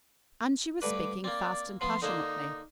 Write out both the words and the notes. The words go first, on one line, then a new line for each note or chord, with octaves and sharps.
And she was speaking fast and passionately.
D2 G2 B4 D6
A#3 C4 D5
F3 B3 C6
D3 A#3 D#4 C5